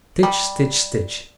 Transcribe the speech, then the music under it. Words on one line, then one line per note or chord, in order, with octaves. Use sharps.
Stitch, stitch, stitch.
G3